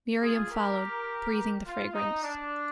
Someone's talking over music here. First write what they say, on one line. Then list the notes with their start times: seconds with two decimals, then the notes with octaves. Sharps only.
Miriam followed, breathing the fragrance.
0.22 F4 G#4
0.50 G4 A#4
1.65 F4
1.93 D#4
2.23 D4